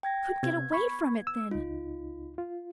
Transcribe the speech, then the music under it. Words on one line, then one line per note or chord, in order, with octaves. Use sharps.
I couldn't get away from it then.
G5 G#6 A#6
C3 B3 G#6
B5 C#6
E6
C#2 D#4 F4
F4